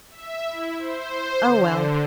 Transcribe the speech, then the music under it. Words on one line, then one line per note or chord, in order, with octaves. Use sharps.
Oh, well!
E5
E4
C5
D3